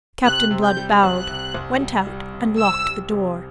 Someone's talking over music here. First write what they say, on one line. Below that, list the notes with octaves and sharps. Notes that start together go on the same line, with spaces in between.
Captain Blood bowed, went out, and locked the door.
C3 F#6
C3
G6
G3
C2 F#6
C3
C2
G3
G3
C3
C3 E6
G3
C3